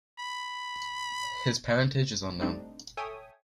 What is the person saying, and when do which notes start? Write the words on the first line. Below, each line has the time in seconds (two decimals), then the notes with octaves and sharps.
His parentage is unknown.
0.19 B5
2.41 G3 A3 C4 D4 D#4
2.97 A4 C#5 E5 G5 G#5 D#6